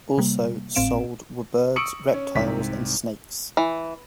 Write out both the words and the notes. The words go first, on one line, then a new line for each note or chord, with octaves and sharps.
Also sold were birds, reptiles, and snakes.
C3 G3 A#3
G#1 A2 C4 F5 D7 E7
C#6 D#6 E6 C#7 D7 F#7
C#4
C2 G#2 C4 B6
E3